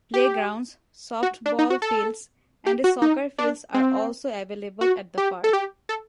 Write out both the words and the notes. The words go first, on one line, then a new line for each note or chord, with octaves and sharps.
Playgrounds, softball fields, and a soccer fields are also available at the park.
G4
F#4
D4
D#4
F#4
A4
G4
F#4
D#4
D4
C4
F#4
G4
A4
G4
A4